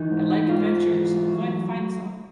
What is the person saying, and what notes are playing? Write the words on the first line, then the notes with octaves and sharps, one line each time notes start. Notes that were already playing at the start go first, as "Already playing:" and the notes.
I like adventures, and I'm going to find some.
Already playing: E3 D#4
G#2
G#2 F4
E3
F#3